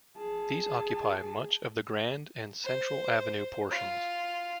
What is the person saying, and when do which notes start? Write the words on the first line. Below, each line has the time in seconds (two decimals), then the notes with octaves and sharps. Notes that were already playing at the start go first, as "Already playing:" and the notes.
These occupy much of the Grand and Central avenue portions.
0.18 G#4 A5
2.64 C5
3.71 F4